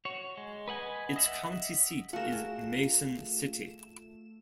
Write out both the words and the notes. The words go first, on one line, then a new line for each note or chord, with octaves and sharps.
Its county seat is Mason City.
F#4 C#5
G#3
B4 D#5 F#5 G#5
D#5 E5 F#5
A3 F4 F#4 G#4 A#4 F5 E7